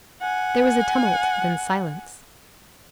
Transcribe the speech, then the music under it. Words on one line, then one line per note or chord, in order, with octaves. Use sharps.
There was a tumult, then silence.
F#5 G#5